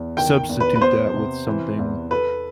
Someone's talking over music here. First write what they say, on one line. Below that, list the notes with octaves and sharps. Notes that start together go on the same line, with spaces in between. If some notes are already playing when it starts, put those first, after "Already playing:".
substitute that with something
Already playing: E2
D#3 G5
E2
B4
B4
B3 C5
C3
E3
E2
A4 B4